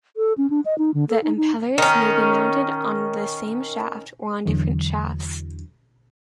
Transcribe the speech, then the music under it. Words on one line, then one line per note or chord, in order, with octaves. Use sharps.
The impellers may be mounted on the same shaft or on different shafts.
A4
C#4
D4
D#5
D#4
D3
A4
D#4
D#4
D#3 C#4
E2 D3 E3 F#3